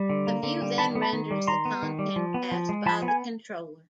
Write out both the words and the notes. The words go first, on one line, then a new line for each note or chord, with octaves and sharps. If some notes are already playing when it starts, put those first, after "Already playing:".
The view then renders the content passed by the controller.
Already playing: G3
D3
A#3
D3
G3
D#3 A5 B5
B3
A5 B5
D#3
G3
D#3 A#5 C6
B3
D#3
G3
F3
B3
F3
G#3
F3 A5 B5
B3
G#5